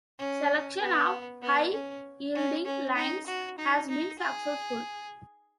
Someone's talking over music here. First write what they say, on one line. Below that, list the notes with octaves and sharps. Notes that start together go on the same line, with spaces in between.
Selection of high-yielding lines has been successful.
C#4
B3
B3
C#4
C#4
C#4
D#4
F#4
D#4
D#4
G#4